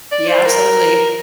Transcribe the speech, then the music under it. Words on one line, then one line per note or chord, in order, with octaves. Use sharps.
Yeah, absolutely,
D5
C5
A#4